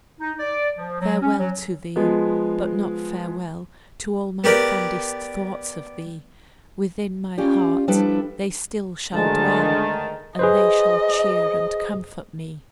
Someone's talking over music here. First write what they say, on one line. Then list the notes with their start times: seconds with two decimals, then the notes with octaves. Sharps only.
Farewell to thee! but not farewell To all my fondest thoughts of thee: Within my heart they still shall dwell; And they shall cheer and comfort me.
0.20 D#4
0.39 D5
0.77 F3
1.01 F#3
1.21 C#4
1.38 F#3
1.96 F3 G#3 B3
4.44 B3 G4 A#4 D5
7.38 C#4 F4 G4 D5
7.88 F3 G3 D4 E4 A4 B4
9.13 D2 G#2 D3 D#3 G#3 A5
10.39 G#4 B4 C5 D#5